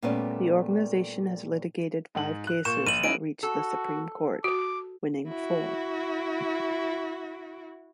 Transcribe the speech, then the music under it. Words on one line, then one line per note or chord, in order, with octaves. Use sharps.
The organization has litigated five cases that reached the Supreme Court, winning four.
A#2 G3 A3 B3 C#4 D5
G#2 F#7
F#6
A#2 C#6 G6 E7
A#1 D#7 F#7
C#4 D#4 E4 D7
F#4 A4
F#4 D6
E4 F#4